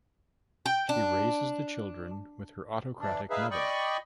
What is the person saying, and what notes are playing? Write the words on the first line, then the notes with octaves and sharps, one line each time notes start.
She raises the children with her autocratic mother.
G5
D4
E3 D4
D#4 G#4 B4 E5 F5
D5 D#5 G5 B5 C#6